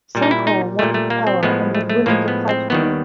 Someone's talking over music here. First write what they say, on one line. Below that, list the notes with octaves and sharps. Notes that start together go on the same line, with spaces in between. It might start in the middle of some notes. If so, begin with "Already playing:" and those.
Sankoh wanted power, and was willing to fight for it.
A#2 G3
D#4
E4
D#4
A#2 G3 A3
A3
A#3
C4
A2 F3 G#3 B3
A3
A3
A2 F3 G#3 A#3
B3
C4
D#2 D#3 G3 B3